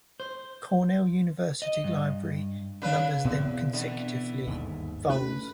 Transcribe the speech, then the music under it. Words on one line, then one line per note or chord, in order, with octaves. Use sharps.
Cornell University Library numbers them consecutively, vols.
C5
D#5
G2
C#3 D4 B4
E2 B2 B3 C4
D3 E3
G1 D#2 G#2
A3 C#4 B4